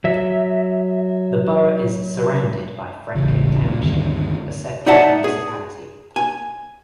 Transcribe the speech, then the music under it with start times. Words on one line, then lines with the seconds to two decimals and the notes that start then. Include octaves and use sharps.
The borough is surrounded by Franklin Township, a separate municipality.
0.04 F#3 E5
3.15 D#1 A1 C#3
3.65 A#2
3.81 D2 G2 D3 D#3
4.86 D#4 D5 E5 F#5 A5
5.24 G#4
6.16 G#5